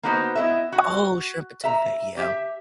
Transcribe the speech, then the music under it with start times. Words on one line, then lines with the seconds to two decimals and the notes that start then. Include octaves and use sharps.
Oh, shrimp étouffée, yeah.
0.03 A#3 B3 D#4 F#4 B4 C5
0.35 B3 E4 D#5 E5
0.72 F#4
1.64 E5 A#5
2.17 G4 E5